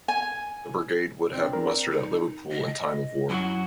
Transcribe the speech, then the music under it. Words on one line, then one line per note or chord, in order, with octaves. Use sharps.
The brigade would have mustered at Liverpool in time of war.
G#5
C4 D4
A#4
D#4
D#5
F#2 F#3 E4 F#4